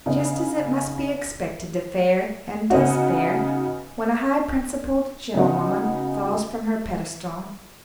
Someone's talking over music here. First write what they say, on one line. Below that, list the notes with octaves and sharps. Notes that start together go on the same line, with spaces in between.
Just as it must be expected to fare, and does fare, when a high-principled gentlewoman falls from her pedestal.
C#3 B3 D#4
C#3 B3 D#4 F#4
C#3 B3 D#4 F#4